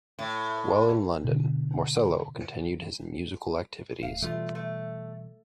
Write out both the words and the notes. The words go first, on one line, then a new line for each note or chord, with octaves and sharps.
While in London, Morsello continued his musical activities.
A2
B2 D3
D1 F5
B2 E3 G3 A3 F4
A3